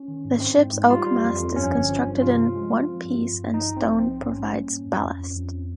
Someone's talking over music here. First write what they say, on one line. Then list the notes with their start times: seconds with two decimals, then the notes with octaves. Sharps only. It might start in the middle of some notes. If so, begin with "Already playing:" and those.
The ship’s oak mast is constructed in one piece and stone provides ballast.
Already playing: C#4
0.08 D#3
0.25 G#2
0.40 C4
0.57 G#2
0.73 G#2
0.90 G3 F4
1.07 G3
1.24 F2
1.40 F2
1.56 G2 C#4
1.73 G1
1.89 F3
2.06 G2
2.22 C3 F4
2.38 F3
2.56 G#3
2.72 F3
2.89 C4
3.05 G2
3.21 G2
3.38 G2
3.54 F3 D#4
3.71 A#1
3.77 C4
3.88 A#1
3.99 C4
4.04 A#1
4.21 G#2 C#4
4.37 G3
4.54 A#3
4.70 G#2
4.86 F2
5.03 F2
5.19 F2
5.37 F2